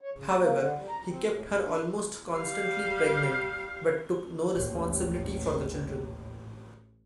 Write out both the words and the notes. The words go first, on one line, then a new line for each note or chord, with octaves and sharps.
However, he kept her almost constantly pregnant, but took no responsibility for the children.
C#5
C#3
D5
A#3
D3
G3
A#5
C4
A2
D#2
D4
G3 F5
A1 D#2 G4 C5 C#5